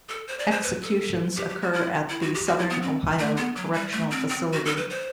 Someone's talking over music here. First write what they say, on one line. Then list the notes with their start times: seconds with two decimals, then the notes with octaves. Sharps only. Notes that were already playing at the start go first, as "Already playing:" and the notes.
Executions occur at the Southern Ohio Correctional Facility.
0.09 A4
0.28 C5
0.39 D5
0.51 C5
0.63 B4
0.82 A4
1.37 G4
1.49 G4
1.62 F#4
1.73 E4
2.09 E4
2.22 F#4
2.34 G4
2.46 F#4
2.59 E4
2.70 B3
2.82 C4
3.19 A3
3.37 B3
3.56 F#3
3.74 G3
3.92 A3
4.11 C4
4.29 C4
4.53 F#4
4.65 A4
4.77 B4
4.90 C5